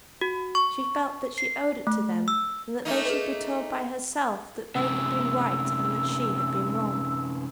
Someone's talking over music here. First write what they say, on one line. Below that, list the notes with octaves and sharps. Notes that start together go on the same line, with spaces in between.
She felt that she owed it to them that they should be told by herself that they had been right and that she had been wrong.
F#4
C#6
C7
A3
E6
A3 A#3 D#4
G#4 B4
F#2 C3 E6